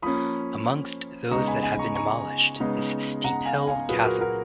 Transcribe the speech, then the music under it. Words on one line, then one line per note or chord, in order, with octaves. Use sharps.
Amongst those that have been demolished is Steephill Castle.
F3 A#3 C#4 B5 D#6
C#3 G#3 B3 D#4 A#5 C#6
G#5 B5
G#5 B5
A#5 C#6
A#5 C#6
C#3 G#3 B3 D#4
F#5 A#5
F5 G#5
F5 G#5
A#2 F#3 A#3 G#4 B4
F#4 A#4
F#4 A#4